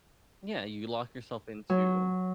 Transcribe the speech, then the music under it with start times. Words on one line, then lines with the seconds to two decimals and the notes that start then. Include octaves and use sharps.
Yeah, you lock yourself into
1.70 F#3